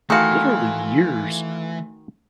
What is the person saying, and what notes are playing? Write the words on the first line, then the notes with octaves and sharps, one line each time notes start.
literally years.
D#3 E3 A3 F#4 A4 F5 G#5 C6